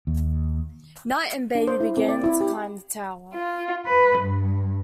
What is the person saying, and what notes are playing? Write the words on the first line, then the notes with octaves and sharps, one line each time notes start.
Knight and Baby begin to climb the tower.
D#2
D4
C5
E4
C4
D5
E4
G4
F4
B4
G2